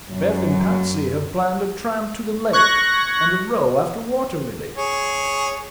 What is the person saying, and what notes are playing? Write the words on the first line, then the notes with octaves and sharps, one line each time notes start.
"Beth and Patsy have planned a tramp to the lake, and a row after water-lilies."
F#2
C#6 F#6 G#6 A#6
G#4 C#5